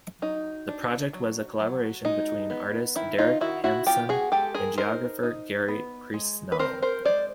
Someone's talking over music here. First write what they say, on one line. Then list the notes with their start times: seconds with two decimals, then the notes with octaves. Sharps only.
The project was a collaboration between artist Derek Hampson and geographer Gary Priestnall.
0.22 F#3 D#4
0.68 D4
1.13 F#3
1.60 F#3
2.05 G#3 D#4
2.50 B3
2.95 D#3 E4
3.19 D#4 F4
3.41 D#3 E4 F#4
3.64 E4 F#4
3.87 B3 F4 G4
4.09 F#4 G#4
4.32 G#3 G4 A4
4.55 G#4 A#4
4.78 D#4 A#4 C5
5.23 D#4
5.68 B3
6.14 G#3
6.52 B4
6.59 C4 A#4 C5
6.82 A#4 C5
7.05 G#3 C5 D5